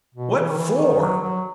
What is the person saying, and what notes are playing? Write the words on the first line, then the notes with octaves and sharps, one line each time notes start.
"What FOR?"
B2
E3
D#3
E3
D#3
F#3
F#3